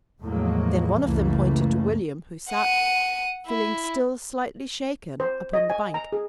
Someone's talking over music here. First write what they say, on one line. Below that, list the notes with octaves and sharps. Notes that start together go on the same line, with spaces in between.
Then one of them pointed to William, who sat, feeling still slightly shaken, upon the bank.
E2 A2 F3 F#3 G#3 A#3
C#2 F#2 E3 A3 A#3
F#5 D#7
E4
C5
D#5
G#5
A#5
G#4